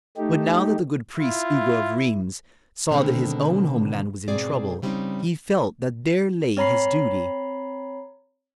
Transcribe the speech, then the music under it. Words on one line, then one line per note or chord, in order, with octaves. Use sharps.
But now that the good priest Ugo of Rheims saw that his own home land was in trouble, he felt that there lay his duty.
A3 D#4 G4
E4 F4
B2 D3 D#3 G#3 A3 C4
G#2 B2 C4 G#4 D5
C#3 G3 C4 D4 D#4
C4 C#5 A#5 B5 C7